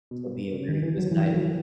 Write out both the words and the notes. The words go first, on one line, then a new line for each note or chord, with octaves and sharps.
it'll be a very cozy night i
B2
C#3
D#3
E3
F#3
E3
E3
F#3
E3